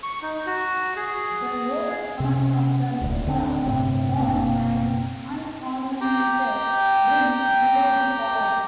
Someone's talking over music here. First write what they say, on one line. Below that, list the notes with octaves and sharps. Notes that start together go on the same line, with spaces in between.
The lower part of the mitra forms an unornamented rim below the column.
C#6
D#4
F#4
G#4
C3 C#4
D#1 D2
D3 C4 D4
G1 A2 C3 C4
F#1 B2 A#3 C4
G4 G5 A#5